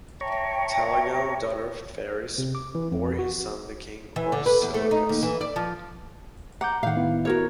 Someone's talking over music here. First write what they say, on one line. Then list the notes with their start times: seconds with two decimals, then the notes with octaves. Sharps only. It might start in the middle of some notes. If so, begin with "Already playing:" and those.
Telegone, daughter of Pharis, bore his son, the king Orsilochus.
0.21 C#5 E5 G5 A5 A#5 C#6
2.38 C3
2.55 D6
2.75 E3
2.91 F2
3.19 F#4
4.16 E3
4.32 D3
4.46 B4
4.62 E2
4.74 A3
4.91 D#4
5.09 D#2
5.22 E3
5.41 D5
5.56 F3
6.61 F#5 A#5 D6 G6
6.83 A2 D#3 F5 F#5
6.96 B3 E4
7.25 F#4 A#4 C#5